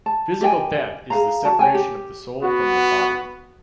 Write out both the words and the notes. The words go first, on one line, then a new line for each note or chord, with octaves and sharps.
Physical death is the separation of the soul from the body.
A5
G4 D#5 G5 G#5
G#4 C5 F5 A#5
F#4 A5
C#5 G5 G#5
G4
B3 F#4